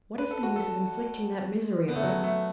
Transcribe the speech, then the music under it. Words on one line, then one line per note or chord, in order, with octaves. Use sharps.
What is the use of inflicting that misery on me?
B4
A4
F#4
A4
B3
A3
F#3
A3